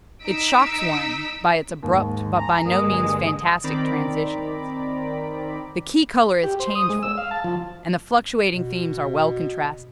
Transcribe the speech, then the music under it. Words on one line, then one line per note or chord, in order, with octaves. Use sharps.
It shocks one by its abrupt but by no means fantastic transitions. The key color is changeful, and the fluctuating themes are well contrasted.
D#4 E6 B6 D7
D#2 G#2
G#5 A#5
G2 D3 G#3 A#3 D#6
D#3 C4 D5 A#5 B5 D6
G4
C5
D#6
G#3
E6
F5
A5
F3
B2